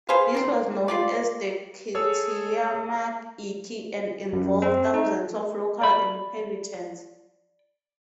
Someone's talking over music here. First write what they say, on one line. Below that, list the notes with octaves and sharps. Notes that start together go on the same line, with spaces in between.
This was known as the "Kitayama Ikki" and involved thousands of local inhabitants.
G#4 B4 C5 F5
D#3 C4
F4 G4 D5
G#4 A4 C#5 E6
F#2
C4
D#4
D5 B5